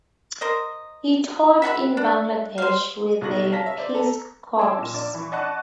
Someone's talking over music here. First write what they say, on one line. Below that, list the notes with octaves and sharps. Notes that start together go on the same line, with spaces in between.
He taught in Bangladesh with the Peace Corps.
A#4 C5 D#5
E5 F#5 A5 B5
D4
C5 F5
B1 D#4 C#6 A#6 F#7
C#5 F5 A5 A#5 A#6 B6
E5
C5 D5
A4 A#5
C#5 A5 C6 D6 E6
A#2 E7
A#1 D5
E3 C#6
D5 D#5 F#5 A5 C#6 F#6